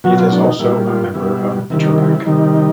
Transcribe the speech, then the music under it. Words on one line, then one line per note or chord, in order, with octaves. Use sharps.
It is also a member of Interac.
B2 F#3 F#4
F4
D4
D#4
A#2 G3 E4
F4
B2 G3 E4
C3 D#3 G3 E4
D#4
E4
E4
C3 D#3 G3 D#4